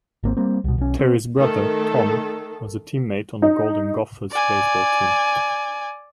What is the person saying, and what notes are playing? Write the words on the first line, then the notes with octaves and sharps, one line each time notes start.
Terry's brother, Tom, was a teammate on the Golden Gophers' baseball team.
G#1 A#3 C4
G3 A#3 C4
C2 B2
B1 C#4
C4
D#3 A3 A4
D#4
D5 G#5